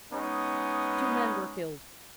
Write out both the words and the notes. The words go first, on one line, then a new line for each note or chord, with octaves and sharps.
Two men were killed.
G#3 B3 C#4 D#4